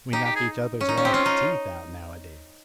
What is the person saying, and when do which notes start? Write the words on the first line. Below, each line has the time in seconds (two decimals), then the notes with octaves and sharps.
We knock each other's last teeth out nowadays.
0.13 D#4 G4
0.24 G4
0.35 G#4
0.81 C#4
0.89 D#4
0.97 C#4
1.03 C4 G4
1.13 C#4 F4
1.26 D#4